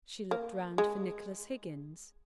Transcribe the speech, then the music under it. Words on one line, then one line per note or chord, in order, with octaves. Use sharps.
She looked round for Nicholas Higgins.
A#3
G#3